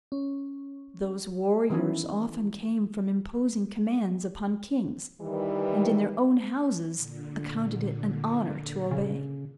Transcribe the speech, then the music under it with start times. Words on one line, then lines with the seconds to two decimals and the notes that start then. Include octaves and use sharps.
Those warriors often came from imposing commands upon kings, and in their own houses accounted it an honor to obey.
0.12 C#4
1.70 D#3 E3 B3 C#4 D#4 E4
5.21 D#3 E3 G3
6.95 A#2 D3
8.91 C#3